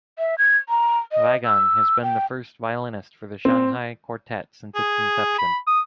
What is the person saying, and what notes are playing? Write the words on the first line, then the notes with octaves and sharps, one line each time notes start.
Weigang has been the first violinist for the Shanghai Quartet since its inception.
E5
G#6
A#5
D#5
E6
G5
C4
G#4
B5
D#6